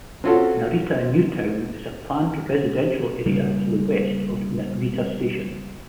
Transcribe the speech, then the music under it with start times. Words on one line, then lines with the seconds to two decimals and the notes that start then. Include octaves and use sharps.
Narita New Town is a planned residential area to the west of Narita Station.
0.24 C4 C#4 F4 F#4 A4
3.26 C#3 G3 A#3